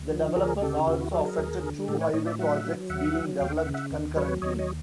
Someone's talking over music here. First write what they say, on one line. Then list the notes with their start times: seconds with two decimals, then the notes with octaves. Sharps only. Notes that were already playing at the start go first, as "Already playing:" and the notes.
The developers also affected two highway projects being developed concurrently.
Already playing: D2
0.11 F3
0.36 D2 G#4 A#4
0.62 C#3 G4 A4
0.86 D#2 F4 G4
0.99 E4 F#4
1.12 F#3 G4 A4
1.25 G#4 A#4
1.38 D#2
1.63 D3
1.88 A2 G4 A4
2.01 B4 C#5
2.13 A2 C#5 D#5
2.26 D5 E5
2.39 F#3 E5 F#5
2.64 F#3
2.89 D#2 E5 F#5
3.15 F#3
3.40 D#2 F5 G5
3.57 E5 F#5
3.66 C#3
3.74 E5 F#5
3.91 D#2
4.16 F#3 B4 C#5
4.42 D#2 C#5 D#5
4.59 C#5 D#5